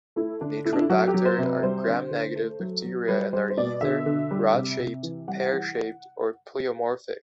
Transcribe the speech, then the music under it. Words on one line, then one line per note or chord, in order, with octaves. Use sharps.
"Nitrobacter" are gram-negative bacteria and are either rod-shaped, pear-shaped or pleomorphic.
A3 E4
D3 D4
A3 E4
D4
E4
F#3 F#4
G4
F#3
C5
C3
B4
G3 C5
D3
D3
A3
F#3
F#3
G3 B4
G3 C5
C5
B2 D5
D3 E5
D3
G3
C3
C3
E3
G3 F#5
E3